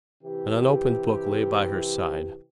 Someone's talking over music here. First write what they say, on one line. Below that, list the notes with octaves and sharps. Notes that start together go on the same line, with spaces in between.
An unopened book lay by her side.
C3 E3 G4